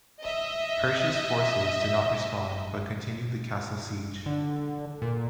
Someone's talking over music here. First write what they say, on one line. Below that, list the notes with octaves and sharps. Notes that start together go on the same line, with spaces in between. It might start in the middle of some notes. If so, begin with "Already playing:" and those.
Perche's forces did not respond, but continued the castle siege.
D#5 E5
D3
A#2